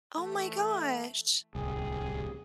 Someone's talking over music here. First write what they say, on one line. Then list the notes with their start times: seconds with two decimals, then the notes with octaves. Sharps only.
Oh my gosh.
0.18 E3 A3
1.55 D1 C2 G4 G#4